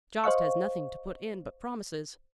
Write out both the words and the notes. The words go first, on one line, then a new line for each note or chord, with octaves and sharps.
Jost has nothing to put in but promises.
C5 D#5 F5 C#6